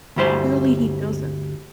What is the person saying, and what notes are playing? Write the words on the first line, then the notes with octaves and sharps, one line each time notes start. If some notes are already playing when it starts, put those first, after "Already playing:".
But clearly, he doesn't.
D2 G2 G3 E4 C5